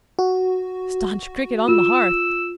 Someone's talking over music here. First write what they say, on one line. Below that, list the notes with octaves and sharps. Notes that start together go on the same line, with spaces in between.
Staunch Cricket on the Hearth!
F#4
F4 E6